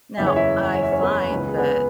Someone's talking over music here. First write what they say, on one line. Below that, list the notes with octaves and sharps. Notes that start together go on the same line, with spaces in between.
now, I find that
F#1 E2 C#3 E3 E5
C#5
E4 E5
C#5
E5
C#4 C#5
B3 B4
C#2 C#3 E3
G#4
B3 B4